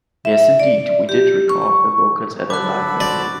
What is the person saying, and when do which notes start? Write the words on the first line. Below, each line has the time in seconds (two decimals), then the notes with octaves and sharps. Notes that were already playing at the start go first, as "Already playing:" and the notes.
Yes indeed, we did record the vocals at a live venue.
0.25 E5
0.60 D5
1.09 G4
1.49 C#6
2.50 D3 F#3 A4 B5 D6 F#6
3.00 D4 F#4 C5 D5